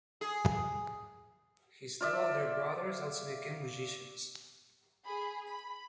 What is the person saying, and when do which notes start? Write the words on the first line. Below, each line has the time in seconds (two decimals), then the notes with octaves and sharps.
His two older brothers also became musicians.
0.21 G#4
2.01 F4 D5 E5
5.04 G#4 B5
5.46 B5